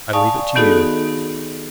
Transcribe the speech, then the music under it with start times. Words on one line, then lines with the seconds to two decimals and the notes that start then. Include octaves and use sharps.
I leave it to you.
0.13 D5 F5 G#5 A5 C#6 D#6
0.56 D#3 B3 D#4 F#4 G#4 A4